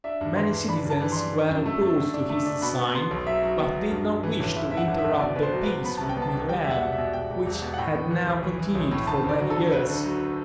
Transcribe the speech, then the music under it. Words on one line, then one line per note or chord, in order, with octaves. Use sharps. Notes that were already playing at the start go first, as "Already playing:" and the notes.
Many citizens were opposed to his design, but did not wish to interrupt the peace with Milan, which had now continued for many years.
D4 E5
G2
E3 C6
G2
D4 B5
G2
A5
E3
D4 C6
D3
F#2
A3
A3
D3
D4
A3
D4
B2 B5
B3
B3 C6
B1
F#3 E5
F#3
B3
F#3
G2
G2
E3
A1
A1 E5
G2 E5
F#5
A1
E5
A1
B2 D5
B2 B4
C5
F#3
B4
F#3
B3 B5
C2 A5
G5
B3 A5
C2
G3 G5
E1 E5
F#5
B2
E5
B2
B2 G5
E1
E1
B2
F#5
A2 G5
B3
E3
B1
E3
E3
B1
A2
D2 A5
D2 D5
F#3
A4
D3
D2 B4
D3
F#3